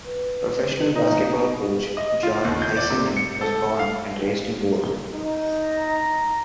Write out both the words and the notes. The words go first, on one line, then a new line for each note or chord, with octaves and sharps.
Professional basketball coach John Whisenant was born and raised in Gore.
B4
D#4
D#5
F4
D#2
G6
D5
C3
C#7
A4
F5
D#4
A#5